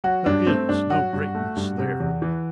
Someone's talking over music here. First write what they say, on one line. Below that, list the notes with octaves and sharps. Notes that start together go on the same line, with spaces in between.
There is no greatness there.
F#3 F#4
G2 D4
A3 C4
G2 D4
F#3 F#4
G2
A3
G2
C3
E2
E3